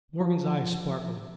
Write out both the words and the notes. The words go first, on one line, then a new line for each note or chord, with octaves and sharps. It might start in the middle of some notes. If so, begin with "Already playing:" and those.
Morgan's eyes sparkled.
F3